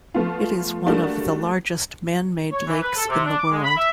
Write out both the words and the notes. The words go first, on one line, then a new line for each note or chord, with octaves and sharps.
It is one of the largest man-made lakes in the world.
F3 A3 B3 F4
G3 A3 A#3 D4 F#4
C#5
E3
B4
A4
C3
D4
D6
G#3
B5
E5